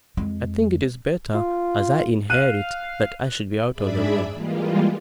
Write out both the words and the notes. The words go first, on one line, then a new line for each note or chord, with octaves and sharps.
I think it is better, as I inherit, that I should be out of the room.
F2 G#3
F4
F5 F#6 D#7
G#2 D4 G#4 D5 E5 B5
E3 G3 G#3 A#3 F4